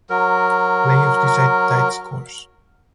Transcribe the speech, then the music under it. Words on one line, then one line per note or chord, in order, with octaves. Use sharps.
Playoffs decide tied scores.
F#3 A#4